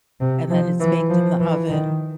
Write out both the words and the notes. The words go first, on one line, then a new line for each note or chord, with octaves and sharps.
And then it's baked in the oven,
C3
F3
E3
F3
E3
D#3